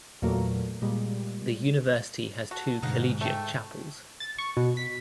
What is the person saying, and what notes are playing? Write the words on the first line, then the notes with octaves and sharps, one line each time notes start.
The University has two collegiate chapels.
E2 A#2 F#3 A3 A#4
A#2 G3 G#3
F#4 A4
G#2 B2 D3 D#4 F5 F#5
A3 A4 G5
A6
C#6
B2
B6